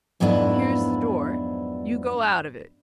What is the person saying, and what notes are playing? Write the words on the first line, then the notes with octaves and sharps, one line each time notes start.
Here's the door, you go out of it.
F2 G#2 F#3 B3 D4 E4